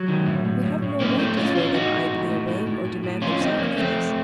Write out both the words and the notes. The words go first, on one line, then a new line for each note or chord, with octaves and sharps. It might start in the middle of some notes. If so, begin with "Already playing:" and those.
We have no right to throw them idly away, or demand their sacrifice.
Already playing: F#3
D#3
A2
A2
A2
A2
A2 A#3 C#4
A2 A3 C4
A2 C#4 F4
A2 C#4 F4
A2 D#4 F#4
A2
A2
A2
A2
A2
A2
A2
F2 C#4 F4
F2 C4 D#4
F2 A#3 C#4
F2 A3 C4
F2